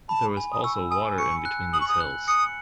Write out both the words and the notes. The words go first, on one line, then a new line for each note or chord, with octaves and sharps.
There was also water in between these hills.
A5 B5
G#5
D#6
C#6 E6
G#5 D#6
C#6 C#7
F#6
D#6 F#7
C#6
D#6
F#6
D#6 C#7